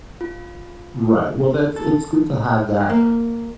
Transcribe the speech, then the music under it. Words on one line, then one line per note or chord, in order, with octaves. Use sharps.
Right, well, that's it's good to have that
F4
A4
A#3